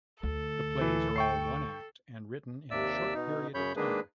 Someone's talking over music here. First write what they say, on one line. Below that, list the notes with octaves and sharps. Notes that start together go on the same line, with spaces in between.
The plays are all one-act, and written in a short period of time.
D2 A4
E3
G5 C#6 C7
D#2 C3 D5 E5 E6
B2 D#4
F#2 C#3 C#5 B5 G6
D#3 G#3 A#3 D4 G#4 B4